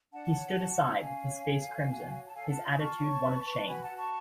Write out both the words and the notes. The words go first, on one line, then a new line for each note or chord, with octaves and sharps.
He stood aside, his face crimson, his attitude one of shame.
D4 F#5 A5
C#5
F#4
C#4
C#4 F5 G#5
C#5
A4
F#4
F#4
C#5
A5
A4 F5 G#5
F#5 A5
F4
G#5 B5
F4 A5 C#6
C#5
B4
B4
A5
F#4 G#5 B5
F#5 A5
F#4
A5 C#6